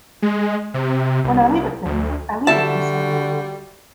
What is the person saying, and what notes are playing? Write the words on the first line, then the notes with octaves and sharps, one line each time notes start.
"When I leave a thing, I leave it," he said.
G#3
C3
C2
D2
D3 G3 E4 F#4 A5